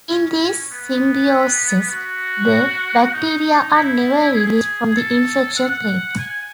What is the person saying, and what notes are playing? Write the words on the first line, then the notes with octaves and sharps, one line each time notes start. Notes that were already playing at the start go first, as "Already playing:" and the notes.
In these symbioses the bacteria are never released from the infection thread.
C#4
B3
F#4
D#4
E4
G#4
A4
F#5
G#5